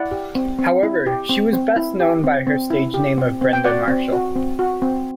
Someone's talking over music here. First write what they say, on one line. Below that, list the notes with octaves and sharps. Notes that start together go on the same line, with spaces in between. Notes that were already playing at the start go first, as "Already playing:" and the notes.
However, she was best known by her stage name of Brenda Marshall.
Already playing: E4 D5 F#5
G4
C4
C4
E4
G4
C4
C4
E4
G4
C4
C4
E4
G4
C4
C4
G5
F#4 D5 F#5
C4
F#4
C4
F#4
C4